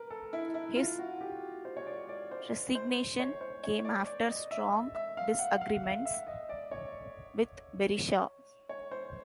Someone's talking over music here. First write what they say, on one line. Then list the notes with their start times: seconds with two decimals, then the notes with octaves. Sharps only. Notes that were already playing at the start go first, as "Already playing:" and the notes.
His resignation came after strong disagreements with Berisha.
Already playing: A#4 B4
0.10 A4
0.33 E4
0.54 E4
0.76 F4
0.99 F#4
1.21 G4
1.65 C5
1.77 C#5
1.86 D5
2.09 D5
2.31 C5
2.75 C5
3.20 C#5
3.41 C5
3.64 C#5
3.85 D5
4.07 D5
4.29 D#5
4.51 E5
4.95 E5
5.17 F5
5.39 F#5
5.61 F5
5.83 E5
6.05 E5
6.27 D#5
6.49 D5
6.71 C#5
8.69 C#5
8.91 C5